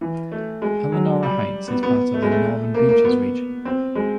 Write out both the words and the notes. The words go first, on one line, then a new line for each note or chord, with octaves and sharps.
Elanora Heights is part of the Northern Beaches region.
E3
A3
G#3
F#3
G3
B3
B3
A3
G#3
A3
A#3
A#3
B3
C4
G#3